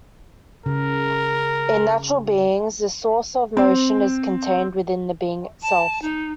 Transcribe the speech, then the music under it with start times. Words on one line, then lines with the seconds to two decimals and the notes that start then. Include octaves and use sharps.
In natural beings, this source of motion is contained within the being itself.
0.66 C#3 A#4
3.57 C4
5.62 A5
6.02 D#4